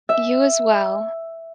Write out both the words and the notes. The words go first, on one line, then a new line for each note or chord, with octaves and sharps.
You as well.
E5